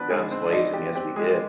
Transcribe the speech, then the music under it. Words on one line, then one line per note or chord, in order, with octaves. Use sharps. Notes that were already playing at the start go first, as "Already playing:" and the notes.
guns blazing as we did,
Already playing: F3 B3 D4 B4 D5
G#3 D#4 G#4
C4 C5
D5
F3 D#4 D#5
G4
C4 G4
G#3 G#4